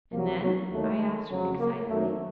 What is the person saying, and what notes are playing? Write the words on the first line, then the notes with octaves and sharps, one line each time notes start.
"And then?" I asked, excitedly.
C2 C3 F#3 A#3
F#3
D#2 D#3 F#3 A3
F2 C#3 F#3
A#3
F#2 D#3 F#3 A3